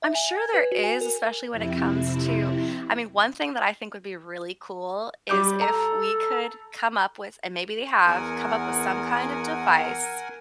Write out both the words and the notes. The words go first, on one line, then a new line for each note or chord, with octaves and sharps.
I'm sure there is, especially when it comes to I mean, one thing that I think would be really cool, is if we could come up with- and maybe they have- come up with some kind of device
E5
G#5
G#6
B4
F#4
G#5
A#4
F2 C3 C4 E4
G3 D6 G6
A4 A#5
E2 A#4 F#5 G#5